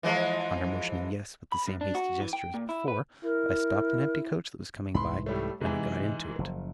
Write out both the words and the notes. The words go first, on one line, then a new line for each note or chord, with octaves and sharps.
On her motioning Yes, with the same hasty gesture as before, I stopped an empty coach that was coming by, and we got into it.
E3 F3 G#3
B5
F#2
D4
F#4
E3
G5
A#2
E4
B4
E4 A#4
C2 G#2 E3 B5 C6
A2 G3 A3
G#2 C3 E3 G#3
F#1 B2 F3